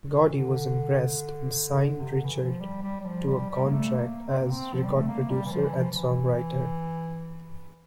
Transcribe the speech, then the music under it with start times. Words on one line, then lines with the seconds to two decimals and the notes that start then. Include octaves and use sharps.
Gordy was impressed, and signed Richards to a contract as record producer and songwriter.
0.14 A#2
0.37 D3
2.00 C3
2.12 D3
2.25 E3
2.38 F3
2.60 G3
2.83 G3
3.00 G3
3.05 F3
3.28 G3
3.50 G3
3.65 A#3
3.72 A3
3.95 A#3
4.28 C4
4.39 A#3
4.51 C4
4.74 F3
4.85 G3
4.95 A3
5.08 A#3
5.29 G3
5.46 E3
5.52 F3
5.64 E3
5.74 F3
5.92 F3
5.96 E3